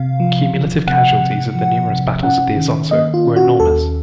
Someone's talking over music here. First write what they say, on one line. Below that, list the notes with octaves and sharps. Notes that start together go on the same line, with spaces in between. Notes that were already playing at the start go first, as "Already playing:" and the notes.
Cumulative casualties of the numerous battles of the Isonzo were enormous.
Already playing: C3 F5
F3
F3
C3 F#5
C3
F3
C3
C#4 F#5
D#3
A#3 D#5
F4
C#4
F#4
D#2 A4